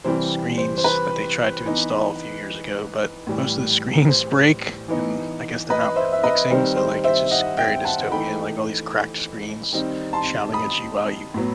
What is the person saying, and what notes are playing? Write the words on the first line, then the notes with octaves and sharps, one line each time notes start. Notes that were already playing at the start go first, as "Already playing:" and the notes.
screens that they tried to install a few years ago, but most of the screens break, and I guess they're not fixing, so, like, it's just very dystopian, like, all these cracked screens shouting at you while you
C3 E3 G3 C5
C5
C5
B4
E3 B3 D#4
A2 E3 G3
C5
E3 B3 D#4
B4 D#5
C5 E5
E5
B4 D#5
D#3 G3 C4 C5
C5
C5 E5
D#5 F#5
E5 G5
F#5 A5
E3 A3 D#4 G5 B5
D#3 G3 C4 D#4
A5 C6
B5 D#6
A2 F#3 B3